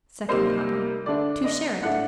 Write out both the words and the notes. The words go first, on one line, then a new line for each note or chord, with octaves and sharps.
Second problem: To share it.
C3 G3 A#3 D#4 C5
D3 A3 D4 D5
D#5
A2 A3 D4 F#5